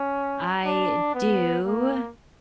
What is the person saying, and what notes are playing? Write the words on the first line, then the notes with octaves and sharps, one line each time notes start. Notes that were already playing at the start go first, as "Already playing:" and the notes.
I do.
Already playing: C#4
D4
B3
A#3